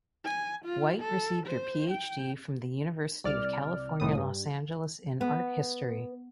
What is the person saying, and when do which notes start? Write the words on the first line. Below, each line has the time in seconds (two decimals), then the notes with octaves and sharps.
Wight received her PhD from the University of California Los Angeles in art history.
0.25 G#5
0.65 F4
1.00 A4
1.46 C5
1.90 G5
3.24 C2 D5 F6
4.00 C2 A2 D#6
4.17 G2
5.21 B3